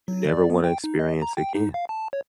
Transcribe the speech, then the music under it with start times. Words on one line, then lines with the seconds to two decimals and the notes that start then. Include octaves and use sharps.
you never wanna experience again.
0.08 F#3
0.29 D5
0.50 B3
0.64 G5
0.84 D#4
0.99 D#5
1.22 A#5
1.37 G5
1.55 D#4
1.74 F5
1.89 A5
2.13 C#5